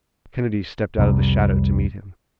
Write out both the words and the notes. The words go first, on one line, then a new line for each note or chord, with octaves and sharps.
Kennedy stepped out of the shadow to meet him.
C2 F2 C3 G3